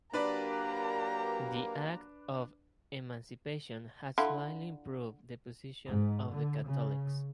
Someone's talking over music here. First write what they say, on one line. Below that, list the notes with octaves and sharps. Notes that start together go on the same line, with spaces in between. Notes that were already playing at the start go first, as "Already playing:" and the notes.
The Act of Emancipation had slightly improved the position of the Catholics.
F#3 A#3 D4 G4 A#4 B4 D5 A#5
D3 E4 F4
G#2
D3
C#3